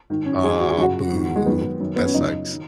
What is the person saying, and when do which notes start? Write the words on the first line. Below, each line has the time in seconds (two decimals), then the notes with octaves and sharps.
Aw, boo. That sucks.
0.10 G#2 D#3
0.26 C#4
0.44 G#2 D#3 G#4
0.60 F#4
0.71 G#4
0.77 F#2 C#3 F#4
1.12 G#2 D#3
1.36 G#3
1.46 F#2 D#3 B3
1.80 F#2 D#3
1.96 B3
2.05 C#4
2.14 F#2 C#3 D#4
2.52 D#3